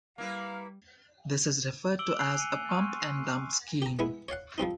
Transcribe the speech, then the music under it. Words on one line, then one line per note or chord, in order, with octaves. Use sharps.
This is referred to as a "pump and dump" scheme.
G3 A#3 E4 B4 F5
D6 E6 D7 F#7 G7
G#5 E6 F#6 C7 F7
C#7 D#7
C6 C#6 F6 D#7
C7
G4 A#5
G#3 B3 E4
C#5 D5 F5 F#5
F3 G3 C4 D#4